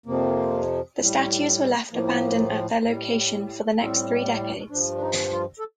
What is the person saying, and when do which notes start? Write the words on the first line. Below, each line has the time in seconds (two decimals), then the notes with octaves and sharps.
The statues were left abandoned at their location for the next three decades.
0.06 F2 C3 F3 A#3
0.99 A2 G3
1.92 A2 F3 A#3
2.85 A2 G3
3.78 A2 G3 C4
4.70 G2 F3 D4
4.95 D4
5.02 D#4
5.33 F4
5.59 A4